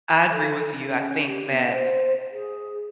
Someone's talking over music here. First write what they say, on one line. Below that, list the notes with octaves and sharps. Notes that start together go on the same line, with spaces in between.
I agree with you, I think that
A4
C#4
G4
B3
C5
G#4